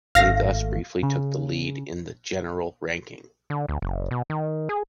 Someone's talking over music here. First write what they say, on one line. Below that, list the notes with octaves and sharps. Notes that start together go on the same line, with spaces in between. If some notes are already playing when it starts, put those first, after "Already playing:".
He thus briefly took the lead in the general ranking.
G#1 A3 F5 A#6
C#3
D3
D2
F#1
B2
D#3
G#4